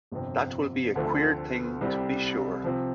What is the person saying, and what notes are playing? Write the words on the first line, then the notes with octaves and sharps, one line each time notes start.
That will be a queer thing, to be sure!
G1 F2 C3
D2 D3 F3 A3 C4
C2 C3 G3
C3 F3